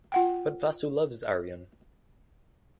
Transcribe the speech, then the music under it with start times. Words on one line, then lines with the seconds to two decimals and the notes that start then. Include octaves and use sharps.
But Vasu loves Arjun.
0.12 F4 F#5 G5